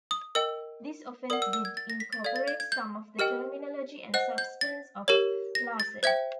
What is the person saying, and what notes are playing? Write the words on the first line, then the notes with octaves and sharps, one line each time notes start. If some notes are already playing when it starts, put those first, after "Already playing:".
This offence did incorporate some of the terminology and substance of larceny.
D#6
A#4 D#5 G5 E6
A#4 D5 F#5 D#6
E6
E6
G#6
A6
A#6
B6
A6
A4 D5 F5 G#6
A6
G#6
G#6
G6
G4 A#4 D#5 G5 F6
C5 D#5 F#5 F#6
G6
A6
G4 A#4 C#5
A#6
A6
C5 E5 G5 G#6